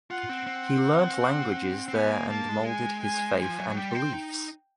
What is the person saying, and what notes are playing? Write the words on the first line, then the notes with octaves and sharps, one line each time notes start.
He learnt languages there and molded his faith and beliefs.
F4 F#5
C4
C4
C4
B3 G#5
A#3
A#3 A5
G#3
G#5
G#5
F3 G#5
F#3
F#3
G3 G5
C4
D#4